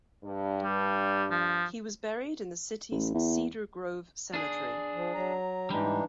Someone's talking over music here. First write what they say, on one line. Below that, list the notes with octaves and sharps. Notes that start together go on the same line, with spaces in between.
He was buried in the city's Cedar Grove Cemetery.
G2
G3
F3
A1
E2
D4 G#4
F3
F#3 A#5
G#2 E3 G3 D4 D#4